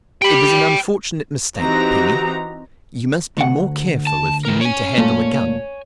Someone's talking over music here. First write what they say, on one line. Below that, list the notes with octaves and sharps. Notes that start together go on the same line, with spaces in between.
"It was an unfortunate mistake, Penny; you must be more careful if you mean to handle a gun."
G4 G5 B5
E3 C4 D#4 F#4 G4 A#5
D2 F#5
A5
E3 A#4
C#5 G#5
A#2 A3